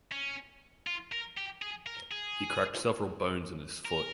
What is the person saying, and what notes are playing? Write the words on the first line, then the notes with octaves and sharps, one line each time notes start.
He cracked several bones in his foot.
C#4
F4
A#4
G4
G#4
A#4
G#4
A#4